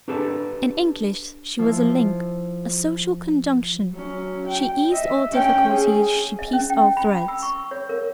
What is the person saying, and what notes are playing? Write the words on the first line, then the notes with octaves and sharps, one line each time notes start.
In English she was a link, a social conjunction; she eased all difficulties, she pieced all threads.
D4 G4 A4 B4 A5
F3 E4
F#3 C#4
G5
D#5 E5
C#4 G5
G#4
D#5
C#4
G5
B5
E6
C#6
C#5
A#4